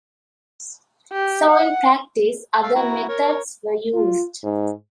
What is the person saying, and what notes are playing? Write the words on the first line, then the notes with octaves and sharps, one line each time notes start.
So in practice, other methods were used.
G4
F#5
A3 F5 E6
E4 F#4 A#5
A#4 C#5
F4
G#2